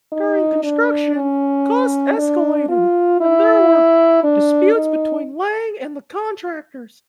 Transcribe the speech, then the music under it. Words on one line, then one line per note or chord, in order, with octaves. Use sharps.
During construction, costs escalated, and there were disputes between Laing and the contractors.
D#4
D4
C#4
D4
F4
E4
D4
D#4